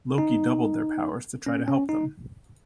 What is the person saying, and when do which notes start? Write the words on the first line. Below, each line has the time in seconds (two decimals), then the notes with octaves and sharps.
Loki doubled their powers to try to help them.
0.18 D#4
1.46 C#4
1.68 C#4
1.89 D#4